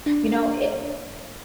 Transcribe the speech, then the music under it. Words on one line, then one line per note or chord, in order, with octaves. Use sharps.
you know, i
D4